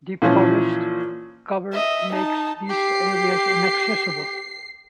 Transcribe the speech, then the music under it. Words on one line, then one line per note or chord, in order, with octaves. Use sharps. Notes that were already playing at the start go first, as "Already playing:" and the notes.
Deep forest cover makes these areas inaccessible.
A#2 E3 F3 C#4
D#5 E5
D#4 A5
G4 C7